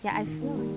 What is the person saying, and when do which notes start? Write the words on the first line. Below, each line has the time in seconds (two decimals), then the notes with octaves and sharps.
Yeah, I feel like
0.12 D#3
0.26 D#3
0.41 A#3
0.56 G3